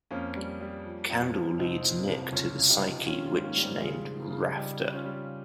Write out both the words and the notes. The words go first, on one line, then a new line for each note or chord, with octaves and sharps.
Candle leads Nick to the Psyche witch named Rafter.
F2 A#3 C#4
G3
G3
F3
F2
F2
C2 C4 D#4
A#2
C2
C#2 C#4 F4
C#2
D#4 G4
F3
D#3 C#4 F4
C#4 F4
G#2
A#3 C#4
G3
C4
C#3 F4 G#4
F3
C#3
G3 D#4 G4
G3
C#4 F4
G3